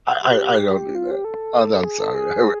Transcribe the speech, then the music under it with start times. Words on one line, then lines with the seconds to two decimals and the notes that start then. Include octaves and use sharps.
I I I don't do that. Oh, no I'm sorry. I
0.22 G4
0.95 F4
1.11 G4
1.25 A4
1.85 G#4
2.00 A4
2.14 G#4